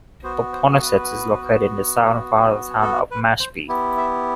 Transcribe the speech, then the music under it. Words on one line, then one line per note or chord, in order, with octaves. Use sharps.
Popponesset is located in the southern part of the town of Mashpee.
B3 F#4 C5
C5
A4
B4
A4
B4
C5
B3 E4 G4
E5